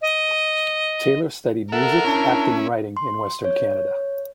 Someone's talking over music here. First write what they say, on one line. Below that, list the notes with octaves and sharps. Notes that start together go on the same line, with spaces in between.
Taylor studied music, acting and writing in western Canada.
D#5
A4 A#4 E5 F#5
C#4 D4 E4
C6
C#5